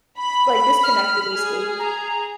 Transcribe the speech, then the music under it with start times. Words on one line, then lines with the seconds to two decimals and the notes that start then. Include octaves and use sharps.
like, disconnected, basically.
0.18 B5
0.83 F6
1.33 G#4
1.79 A#5